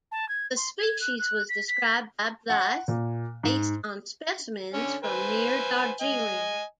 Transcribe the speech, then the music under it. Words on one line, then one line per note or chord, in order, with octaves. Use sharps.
The species was described by Blyth based on specimens from near Darjeeling.
A5
G#6
C6
G#6
F#6
F#6
B6
B6
F#5
A#2
G#2
D3 C#4
B4 C5 G#5
D#5 G#5